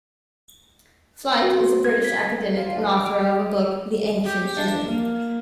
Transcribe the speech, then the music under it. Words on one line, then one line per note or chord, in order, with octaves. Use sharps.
Flyte is a British academic and author of a book, "The Ancient Enemy".
F#4
G#6
B6
F4
G2
D6
G4
G4
D4
A#3